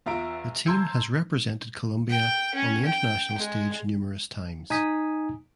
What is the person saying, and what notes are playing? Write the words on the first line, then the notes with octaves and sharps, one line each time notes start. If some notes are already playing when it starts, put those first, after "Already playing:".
The team has represented Colombia on the international stage numerous times.
E2 F4 E5 A#5 D7
A5 A#5 C6 E6 G6 G#6
G5
C#4
G5
G#3
D#4 G#5 D#6 B6